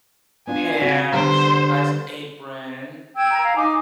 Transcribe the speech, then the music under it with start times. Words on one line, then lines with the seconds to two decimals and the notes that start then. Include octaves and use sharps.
pans, nice apron.
0.47 B3 D4 F4 G#5
0.81 C#3 C4 F#4
1.12 D3 G3 B3 C5
3.16 G5 E6 G#6
3.31 A#5
3.44 F5
3.56 D#4 G#5 D6